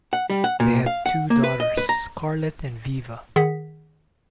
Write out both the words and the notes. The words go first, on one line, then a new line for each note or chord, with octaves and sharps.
They have two daughters, Scarlett and Viva.
F#5
G3
F#5
A#2
F5
F#5
A#3
B4
D#5
B4
A#5
D#3 G#4 F#5 B6